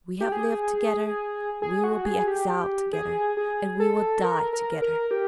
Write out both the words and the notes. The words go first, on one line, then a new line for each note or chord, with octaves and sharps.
We have lived together, we will be exiled together, and we will die together.
G4
G#4
G#4
F#4
G#4
G4
G4
G#4
G#4
A4
A#4
A#4
A#4
G4